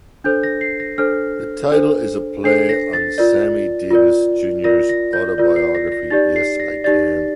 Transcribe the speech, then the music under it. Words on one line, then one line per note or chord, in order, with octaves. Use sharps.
The title is a play on Sammy Davis, Junior's autobiography "Yes, I Can".
D4 A4 C5 G6
A#6
C7
A#6
D4 A4 C5 F6
D4 A4 C5
D4 A4 C5 C7
A#6
A6
F4 A#4 D5
F4 A#4 D5
F4 A#4 D5 A#6
A#6
G6
F4 A#4 D5
C7
A#6
A#6
D#4 G4 D5 A6
C7
A#6
D#4 G4 D5 A6